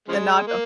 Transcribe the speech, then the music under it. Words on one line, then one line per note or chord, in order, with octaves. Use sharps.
the knob do
C#3 F3 G#3
A#3